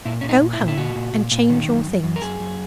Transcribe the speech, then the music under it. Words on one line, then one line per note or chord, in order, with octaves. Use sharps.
Go home and change your things.
A#2 E4
A#2 C#4
D#4
A#2
E4
A#2
E4
A#2 F#4
A#2
A#2
A#2
D#3
F#2
F#2
F#2
A#4
F#2 G#4
F#2